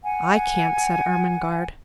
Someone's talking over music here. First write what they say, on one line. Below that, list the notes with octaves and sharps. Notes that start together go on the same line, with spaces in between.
"I can't," said Ermengarde.
F#5 G#5